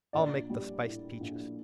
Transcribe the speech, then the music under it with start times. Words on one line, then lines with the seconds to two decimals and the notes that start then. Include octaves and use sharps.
I'll make the spiced peaches!
0.13 A#1 D5
0.50 G3
0.85 A2
1.20 A#1